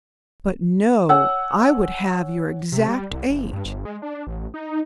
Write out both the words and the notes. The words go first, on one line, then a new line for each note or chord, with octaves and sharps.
But no, I would have your exact age.
C#5 F#5 G#5 E6
C3
G3
C2
F#1
G2
G1
G#3
D4
A1
D#4